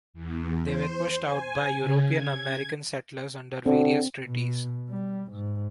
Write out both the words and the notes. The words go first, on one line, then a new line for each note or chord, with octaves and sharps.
They were pushed out by European-American settlers under various treaties.
E2
C5
G#5
C#3
G#6
D3 C4
B2
G3
G#2